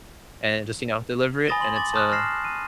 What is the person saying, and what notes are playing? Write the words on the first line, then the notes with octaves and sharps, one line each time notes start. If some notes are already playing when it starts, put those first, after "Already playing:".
and just, you know, deliver it and it's, uh
G#5 B5 D#6 A6 A#6 G7
C6 F#7
D6 A6 F#7
A5 C6 C#6 D#6 F6 F#6
D#6 F6 A#6 C7 E7
D#7